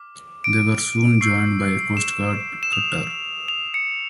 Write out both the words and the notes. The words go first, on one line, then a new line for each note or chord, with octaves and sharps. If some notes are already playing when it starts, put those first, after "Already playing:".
They were soon joined by a Coast Guard cutter.
Already playing: D6 F6
D7
C#6 E6 G6 C7
E7
E7
D#6 G6 F7
F7
C#7